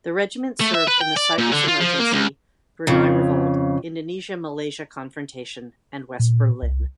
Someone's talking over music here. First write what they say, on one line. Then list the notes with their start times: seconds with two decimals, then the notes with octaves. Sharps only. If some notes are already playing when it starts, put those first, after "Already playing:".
The regiment served in the Cyprus Emergency, Brunei Revolt, Indonesia-Malaysia confrontation and West Berlin.
0.60 A3
0.74 E5
0.88 B4
1.01 G5
1.17 D5
1.38 A#2
1.52 D3
1.68 F4
1.81 F3
1.99 A#3
2.13 C#2
2.87 F2 C#3
6.19 A#2
6.62 C2